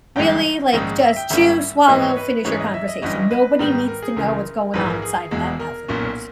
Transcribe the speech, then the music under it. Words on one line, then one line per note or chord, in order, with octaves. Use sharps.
really, like, just chew, swallow, finish your conversation, nobody needs to know what's going on inside of that mouth of yours.
G1 G2 E3 G#3 G5
A#1 G#2 D#3 G#3 C#4
E5
G5
G#1 G#2 G3 A#3 C#4 E5
G#2 E3 G#3 B3 D#5
C#5
B4
G#2 E3 G#3 C#4 C#5
D#5
E5
D#5
G1 G2 E3 G3 C#4 D#5
B4
G#2 D#3 G3 B3
A#4
G#4
C#2 C#3 E3 A#4
A#1 G#2 E3 B4
A#4
G#4
E1 E2 B2 G#3
A#4
B1 A#2 A#3 C#4